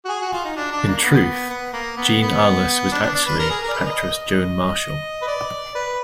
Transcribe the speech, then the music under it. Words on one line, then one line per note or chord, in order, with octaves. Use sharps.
In truth, Jean Arless was actually actress Joan Marshall.
F#4
G#4
F#4
F4
D#4
D4
D4
A#3
B3
B3
A#3
B3
B3
D4
D4
D4
B4
A#4
G#4
A#4
D5
B4
D#5
B4
D5
B4